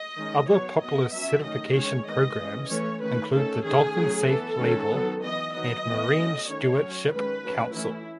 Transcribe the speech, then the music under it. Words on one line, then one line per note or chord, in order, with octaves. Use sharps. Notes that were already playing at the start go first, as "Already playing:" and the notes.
Other popular certification programs include the dolphin safe label and Marine Stewardship Council.
Already playing: D#5
D#3 G#3 C#4
F#3 B3 C#5
F#3 B3 D#5
F#3 C#4 E5
D#3 A3 C#4 D#5
D#3 G#3 C#4 C#5
D#3 G#3 B3 D#5
E3 G#3 C#4
E3 A3 C#4 C#5
D#3 A3 C#4 B4
D#3 A3 C#4 A4
D#3 A3 C#4 G#4
F#3 A3 C#4
E3 B3 A4
D#3 G#3 C#4
D#3 F#3 B3
E3 B3 D#5
D#3 F#3 B3 D#5
E3 B3
F#3 A3 C#4
D#3 A3 C#4 C#5
F#3 C#4
D#3 G#3 C#4 B4
F#3 A3 C#4
E3 A3 C#4 E4